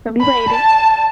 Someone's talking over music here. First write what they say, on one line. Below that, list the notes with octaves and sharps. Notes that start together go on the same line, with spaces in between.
some people hate it.
B5
A5